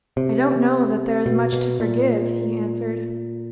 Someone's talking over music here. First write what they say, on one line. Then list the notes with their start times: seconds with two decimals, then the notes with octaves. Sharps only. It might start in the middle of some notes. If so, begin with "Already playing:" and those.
"I don't know that there is much to forgive," he answered.
0.17 C3
1.26 B2
1.53 B2
1.80 A#2